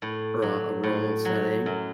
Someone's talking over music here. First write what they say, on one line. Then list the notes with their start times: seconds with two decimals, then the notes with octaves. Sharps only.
ru a rural setting,
0.02 A2
0.42 F#3
0.83 A2
1.25 F#3
1.66 F#2